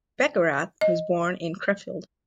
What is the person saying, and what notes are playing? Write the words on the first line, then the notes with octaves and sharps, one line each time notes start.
Beckerath was born in Krefeld.
D#5